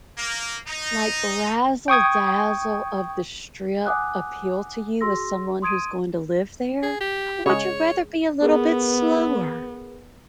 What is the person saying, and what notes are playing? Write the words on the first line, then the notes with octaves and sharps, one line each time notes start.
like, razzle-dazzle of the strip appeal to you as someone who's going to live there, or would you rather be a little bit slower?
A#3
D#4
G5 C#6 D#6 G#6
F#5 G#5 D6 D#6 F#6
F#4 G#4 C6 E6 A#6
C6 D#6 G#6 D7 D#7
G#4
G4
C#3 G#3 C#5
B3 G#4 A#4 B4